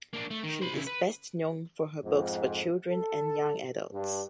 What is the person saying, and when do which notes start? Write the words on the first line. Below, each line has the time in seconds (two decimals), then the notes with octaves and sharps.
She is best known for her books for children and young adults.
0.13 A#3 D4
0.31 A3
0.43 D#3
0.61 C5 B5
0.74 C#3 E4
0.87 B4
2.04 F2 G#2
2.89 A4
3.91 G2